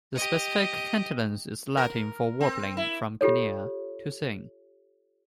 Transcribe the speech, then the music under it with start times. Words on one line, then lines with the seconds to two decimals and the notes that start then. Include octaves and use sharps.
The specific "cantillans" is Latin for "warbling" from "canere", "to sing".
0.15 G4 D#5
1.77 A#4
2.41 C4
2.77 E4
3.21 F4 G4 A4 C#5